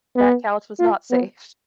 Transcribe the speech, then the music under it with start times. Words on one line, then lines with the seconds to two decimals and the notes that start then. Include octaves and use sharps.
That couch was not safe.
0.16 B3
0.79 F4
1.11 B3